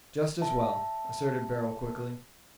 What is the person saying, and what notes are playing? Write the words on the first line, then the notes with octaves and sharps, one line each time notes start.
"Just as well," asserted Beryl, quickly.
E5 A5